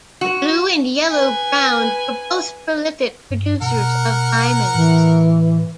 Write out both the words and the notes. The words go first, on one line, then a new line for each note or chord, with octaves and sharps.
The blue and yellow ground were both prolific producers of diamonds.
F#4
B4 G#5
G2
B2 A#4 F#5
A2 E3